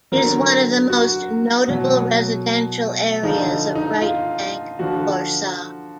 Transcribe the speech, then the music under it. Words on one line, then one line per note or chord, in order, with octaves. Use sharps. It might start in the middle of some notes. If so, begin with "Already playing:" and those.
It is one of the most notable residential areas of right-bank Warsaw.
D3 F#3 A#4
F#4
B2 F#3
D3 F3 D#4
D#4
F4
D3 F3 F#4